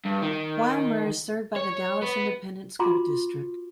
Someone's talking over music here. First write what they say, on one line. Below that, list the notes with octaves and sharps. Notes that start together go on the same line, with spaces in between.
Wilmer is served by the Dallas Independent School District.
G2
D#3
C#5
B3
F4 F#4 A#5 C6 D6